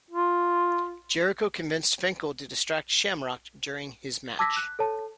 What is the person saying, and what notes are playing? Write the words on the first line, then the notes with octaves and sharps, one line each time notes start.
Jericho convinced Finkel to distract Shamrock during his match.
F4
A5 D6 E6 G#6 A#6 B6
F#6
A4 C#5 A5